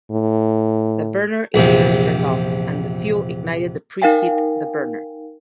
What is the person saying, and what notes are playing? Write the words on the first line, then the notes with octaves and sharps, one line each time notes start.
The burner is then turned off, and the fuel ignited to preheat the burner.
A2
A#1 E2 C3 F3
D#4 A#4 F5 G5 G#5